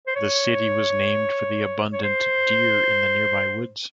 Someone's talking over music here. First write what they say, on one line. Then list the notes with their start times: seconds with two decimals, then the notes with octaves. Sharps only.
The city was named for the abundant deer in the nearby woods.
0.07 C5
0.16 C#5
1.93 C#5
2.03 C5